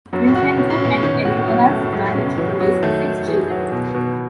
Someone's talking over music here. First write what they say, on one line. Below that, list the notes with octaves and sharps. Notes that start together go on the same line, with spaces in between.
Vincenzo and Eleonora's marriage produced six children.
F#2 F#3
A2
F#4
C#3
B2 C#4
A2
B2 C#4
D#3 C#4
B2
A2 F#4
A2
A2 F#3
B2
C#3 A3
F#2
G#2 F#3
A2
B2 C#4
C#3
E3 F#3
F#3
D#3 A3
A3
E3 G#4
F#3
B2
B2